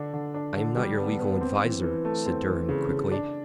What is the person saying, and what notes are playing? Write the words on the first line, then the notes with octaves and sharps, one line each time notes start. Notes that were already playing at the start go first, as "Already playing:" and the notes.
"I am not your legal adviser," said Durham, quickly.
Already playing: D3 D4
D3
D4
D3
G3
B3
B3
C4
E3
E3
A3
C4
E3
C#3
C#3
D4